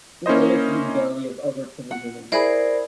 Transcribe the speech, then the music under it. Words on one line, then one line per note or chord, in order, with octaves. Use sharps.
This limits usability of over-provisioning.
A#3 C#4 E4 C5 D#5
F#5
E4 G#4 A#4 C5 D5 B5